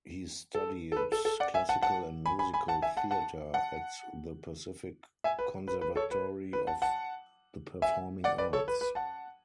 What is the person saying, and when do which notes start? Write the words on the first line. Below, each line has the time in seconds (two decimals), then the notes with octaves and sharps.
He studied classical and musical theater at the Pacific Conservatory of the Performing Arts.
0.55 A4
0.92 A4
0.97 B4
1.12 A4
1.25 A4
1.40 D5 F#5
1.54 E5 G#5
1.69 F#5 A5
1.83 F#5 A5
2.26 G#5 B5
2.39 G#5 B5
2.54 G#5 B5
2.68 F#5 A5
2.82 E5 G#5
2.97 F#5 A5
3.11 F#5 A5
3.54 F#5 A5
5.24 E5 G#5
5.39 B4
5.68 B4
5.81 B4
5.96 A4 C#5
6.11 B4
6.53 B4
6.67 F#5 A5
6.82 F#5 A5
7.82 E5 G#5
8.24 D5 F#5
8.38 B4 D5
8.53 A4 C#5
8.68 B4
8.81 B4
8.95 F#5 A5